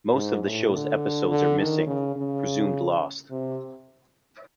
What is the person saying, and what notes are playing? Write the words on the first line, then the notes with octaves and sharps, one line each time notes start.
Most of the show's episodes are missing, presumed lost.
G#2
A2
D3
D3
D#3
C#3
C#3
C3